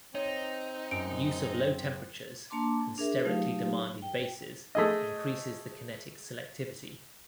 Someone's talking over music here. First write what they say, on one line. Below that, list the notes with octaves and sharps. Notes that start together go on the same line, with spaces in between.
Use of low temperatures and sterically demanding bases increases the kinetic selectivity.
C4 D#4 C#5
F#2 D7
A#3 D4 A5 C6 D6
D4 G#4 A#4 E5
F#3 A3 D#4 F4 G4 F5
G5
A3 G#4 D#5